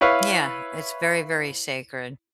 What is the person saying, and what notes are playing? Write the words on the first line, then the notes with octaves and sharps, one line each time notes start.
Yeah, it's very, very sacred,
E4 B4 C#5 F5